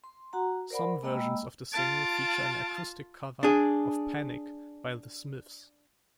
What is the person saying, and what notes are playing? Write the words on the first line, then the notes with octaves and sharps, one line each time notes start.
Some versions of the single feature an acoustic cover of "Panic" by The Smiths.
C6
F#4 F#5 A#5
A#4 C5 D5 F#5 B5
G#3 A#3 D#5 G5 B5 E6
F4 A5 D7
D4 G#4